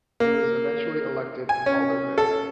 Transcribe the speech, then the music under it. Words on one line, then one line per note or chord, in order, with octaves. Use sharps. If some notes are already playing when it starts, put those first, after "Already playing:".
He was eventually elected an Alderman.
A#3
G#5
C#4
A4